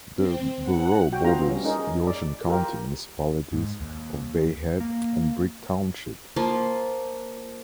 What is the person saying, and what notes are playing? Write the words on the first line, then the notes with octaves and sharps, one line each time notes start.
The borough borders the Ocean County municipalities of Bay Head and Brick Township.
C4
F#5
F#4 G5
B3 D4 F4 G4 A#5
G3 C#4
C#4 D#4 G#4 A#4
D5
F4 G4 A#4
G#2
D#2
A#3
F3 A#3 F4